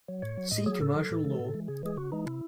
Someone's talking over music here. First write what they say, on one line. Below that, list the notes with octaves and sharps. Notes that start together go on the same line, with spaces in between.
See commercial law.
F#3
A2 C#5
F#3
A2 D#5
F#3 G#4
A2 A4
F#3
A2
E3 G#3
A2
E3 G#3
C#3 G#4
E3 G#3 G#4
C#3 F#4
E3 G#3 D#4
C3 E4